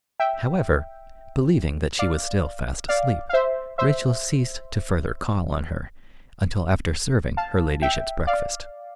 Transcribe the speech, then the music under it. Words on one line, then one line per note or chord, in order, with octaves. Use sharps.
However, believing that she was still fast asleep, Rachel ceased to further call on her until after serving her ladyship's breakfast.
E5 G5
D5 F5
D5 F5
F5
C5 E5
C5 E5
F5 A5
E5 G5
D5 F5